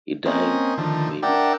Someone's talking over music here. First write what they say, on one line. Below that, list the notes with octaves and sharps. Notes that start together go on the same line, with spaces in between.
He died in Weimar.
A#3 C4 C#4 D#5
D3 D#3 F3 A3
D4 A#4 D5 E5 F#5 G5